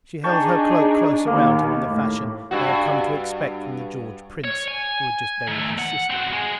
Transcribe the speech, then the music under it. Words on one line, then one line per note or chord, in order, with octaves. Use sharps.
She held her cloak close around her in the fashion they had come to expect from the George Prince who had just buried his sister.
D4 D#4 G#4 G5 A5 C#6
D#2 A#3
A2
G2 F#4
C#5
G#5
D#3 A3
F#5
C4 F#4
G#3